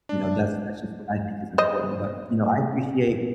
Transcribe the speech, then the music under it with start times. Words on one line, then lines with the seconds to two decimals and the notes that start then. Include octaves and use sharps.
you know, that's that's just what I think is important, but, you know, I appreciate
0.09 D4
1.58 C5 D#5